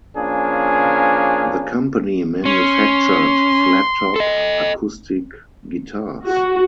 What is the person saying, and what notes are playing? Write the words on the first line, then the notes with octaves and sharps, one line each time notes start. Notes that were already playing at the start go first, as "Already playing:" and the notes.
The company manufactured flattop acoustic guitars.
F3 A#3 C#4 D4 G#4
C#4 C6
A4 D#5
F#4